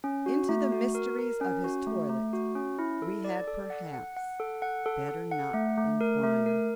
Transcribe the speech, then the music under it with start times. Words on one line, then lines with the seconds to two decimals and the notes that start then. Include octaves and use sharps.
Into the mysteries of his toilet we had perhaps better not inquire.
0.04 C#4
0.26 F#4
0.49 A3
0.72 F#4
0.95 A#4
1.19 A#4
1.41 C#4
1.64 F#4
1.87 A3
2.09 A3
2.33 F#4
2.55 C#4
2.79 E4
3.02 A4
3.24 D5
3.47 A4
3.70 F#5
3.94 F#5
4.16 F#5
4.40 A4
4.62 F#5
4.86 A4
5.09 A4
5.31 F#5
5.54 A3
5.77 A3
6.01 A#4
6.23 A3
6.46 A#4